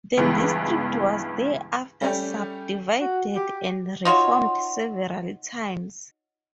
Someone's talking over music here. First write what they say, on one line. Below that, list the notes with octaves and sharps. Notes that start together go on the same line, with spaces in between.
The District was thereafter subdivided and reformed several times.
C#2 G2 C#3 E3 B3
G3 A3 C#4 G4
F#4
G4
D#4 F4 F#4 C#5